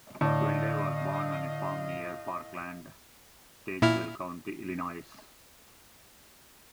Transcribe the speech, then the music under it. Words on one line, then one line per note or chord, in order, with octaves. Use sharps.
Velde was born on a farm near Parkland, Tazewell County, Illinois.
A2 D3 D5 D#5 F5
A#2 E4 F6